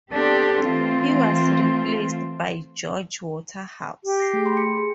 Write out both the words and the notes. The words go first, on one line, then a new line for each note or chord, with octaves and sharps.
He was replaced by George Waterhouse.
B3 C4 D4 G4 A4
E3 A3 C4 F4
G4
A#6 C7
A3 G#4
B5 C6
C#7
G#4